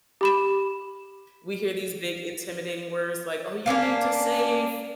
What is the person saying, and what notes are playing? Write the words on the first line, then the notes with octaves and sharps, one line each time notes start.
we hear these big intimidating words like, "Oh, you need to save
G4 B5 E7
A#3 C#4 D4 F5